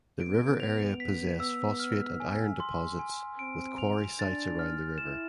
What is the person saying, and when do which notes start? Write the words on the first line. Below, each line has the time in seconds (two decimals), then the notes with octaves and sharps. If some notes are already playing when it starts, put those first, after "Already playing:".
The river area possess phosphate and iron deposits with quarry sites around the river.
0.20 B3 D7
0.60 F7
1.00 B6
1.40 E6
1.80 F6
2.20 G#5
2.60 C6
2.99 G#5
3.39 C4 D7
3.78 F7
4.19 D4 A6
4.59 F6
4.98 E4 E7